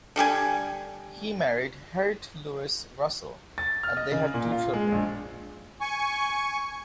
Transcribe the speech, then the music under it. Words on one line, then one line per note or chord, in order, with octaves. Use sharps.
He married Harriett Louise Russell and they had two children.
D3 G3 G4 G#5
A6
F6
D#5
C#3
A#2
F4
G#3
A#1
G#5 C#6